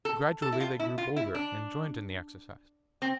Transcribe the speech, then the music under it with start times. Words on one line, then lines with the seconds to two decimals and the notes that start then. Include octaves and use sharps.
Gradually they grew bolder, and joined in the exercise.
0.05 A4
0.42 A4
0.52 E4
0.60 F4
0.80 E4
0.98 F4
1.16 E4
1.35 D4
3.02 C4